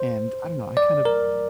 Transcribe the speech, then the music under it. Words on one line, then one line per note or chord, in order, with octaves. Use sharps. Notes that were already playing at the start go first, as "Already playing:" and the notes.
and I don't know, I kind of
Already playing: C5
D5
A#4